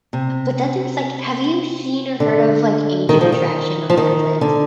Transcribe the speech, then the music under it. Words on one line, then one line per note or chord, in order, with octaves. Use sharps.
but then there's, like, have you seen or heard of, like, Age of Attraction on Netflix?
C3
D3
D#3
F3
D#3
F3
D#3
D3